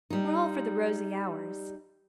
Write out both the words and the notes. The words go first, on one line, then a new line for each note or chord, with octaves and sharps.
We're all for the rosy hours.'
G3 D#4